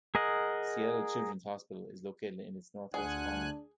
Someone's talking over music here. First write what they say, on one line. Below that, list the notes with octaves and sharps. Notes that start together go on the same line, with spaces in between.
Seattle Children's Hospital is located in its northwest corner.
G#4 A#4 D#5 F#5
D2 D4 F4 G#4 F#5 G#5 F#6